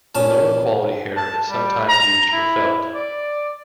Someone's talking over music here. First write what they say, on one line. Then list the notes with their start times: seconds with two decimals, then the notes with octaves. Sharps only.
The lower quality hair is sometimes used for felt.
0.15 A#2 C#4 A5
1.17 A5
1.50 G3
1.89 A#5
2.33 E4
2.95 D5